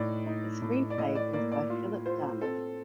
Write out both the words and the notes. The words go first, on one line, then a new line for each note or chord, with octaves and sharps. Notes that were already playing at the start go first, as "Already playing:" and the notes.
The screenplay was by Philip Dunne.
Already playing: A2 D#4 D5
D#4
A2
D5
A2 D#5
D5
A#3 D5
D5
F4
F4 C5
C4 A4